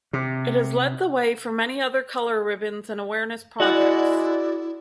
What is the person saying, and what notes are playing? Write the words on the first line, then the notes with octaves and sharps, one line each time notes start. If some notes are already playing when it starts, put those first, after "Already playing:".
It has led the way for many other color ribbons and awareness projects.
C3
G#3 E4 F#4 D5 F#5